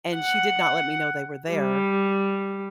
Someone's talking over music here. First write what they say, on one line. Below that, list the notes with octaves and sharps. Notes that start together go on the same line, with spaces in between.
and she did not let me know they were there,
F#5
G3